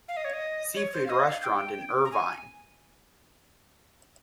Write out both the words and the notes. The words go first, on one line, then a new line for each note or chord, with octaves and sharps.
Seafood Restaurant in Irvine.
F5
D#5
C#5
D#5
C#5
C5
F5
D#5
F5
G5
A#5
G#5